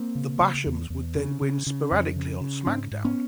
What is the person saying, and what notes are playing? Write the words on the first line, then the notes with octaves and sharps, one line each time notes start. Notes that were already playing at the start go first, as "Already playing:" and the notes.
The Bashams would then win sporadically on SmackDown!
Already playing: A#3 C4
C#3
C#3
E2
E2
C#3
C#3
C#3
F2
C#3
C#3
G#2 C4 D4
G#2
B3 C#4